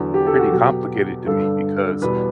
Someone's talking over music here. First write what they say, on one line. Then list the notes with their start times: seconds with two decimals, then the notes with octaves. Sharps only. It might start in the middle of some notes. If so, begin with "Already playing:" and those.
pretty complicated to me, because,
Already playing: E2 D3 F#3
0.14 G4
0.26 A4
0.39 F#4
0.51 B2 F#3 G4
1.26 G2 D3 G3 A4
2.01 E2 B2 G3 B4